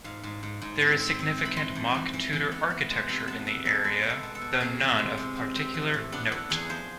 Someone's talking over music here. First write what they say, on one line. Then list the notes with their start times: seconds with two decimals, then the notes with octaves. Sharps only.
There is significant mock Tudor architecture in the area though none of particular note.
0.04 G#2 F5
0.23 G#2
0.43 G#2
0.62 G#2
0.81 C4
1.00 C4
1.19 C4
1.38 E3
1.45 B5
1.56 E3 C6
1.75 F2
1.94 E3
2.13 E3
2.33 E3
2.52 B3
2.70 B3
2.89 G#3
3.08 C3 B5
3.28 B3 A5
3.46 B3 E5
3.65 B3 A4
3.84 G#3 B4
4.03 G#3
4.10 A4
4.23 B2
4.35 A4
4.41 B2
4.60 C3 G#4
4.80 E3
4.99 G#3
5.17 C3
5.36 C4
5.56 C4
5.74 E3
5.94 A2
6.12 B3 D4
6.32 B3 E4
6.50 E2 G#4
6.69 F3 C5